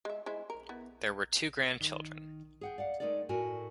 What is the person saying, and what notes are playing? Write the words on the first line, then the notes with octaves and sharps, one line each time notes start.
There were two grandchildren.
G#3 E5
G#3 E4 C5
A#4
B3 E4
D#3
G#4 F#5 G5
D5 F5 F#5
G#3 A3 D#4 A#4 D5
A2 F#4 A#4 G#5